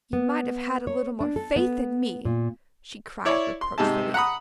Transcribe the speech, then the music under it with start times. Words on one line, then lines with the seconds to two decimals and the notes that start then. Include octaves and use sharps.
"You might have had a little more faith in me," she cried reproachfully.
0.13 B3
0.87 C#5
1.21 D4
1.36 A4
1.56 B3
2.25 A#2
3.25 E4 C#5 D5
3.61 C6
3.78 G#2 C3 D#4 A5
4.14 F#5 A#5 B5 D#6